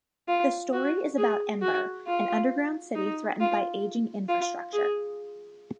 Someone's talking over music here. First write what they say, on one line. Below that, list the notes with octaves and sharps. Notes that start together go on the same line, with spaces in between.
The story is about Ember, an underground city threatened by aging infrastructure.
F4
F#4
G#4
F#4
F4
D#4
F4
F4
G#4